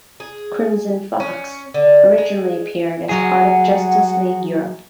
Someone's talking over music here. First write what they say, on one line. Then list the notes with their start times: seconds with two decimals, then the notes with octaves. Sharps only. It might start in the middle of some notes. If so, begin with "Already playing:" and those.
Crimson Fox originally appeared as part of Justice League Europe.
0.20 G#4
1.20 C#4
1.74 D3
2.18 G#3
3.09 F#3 G#4 F#5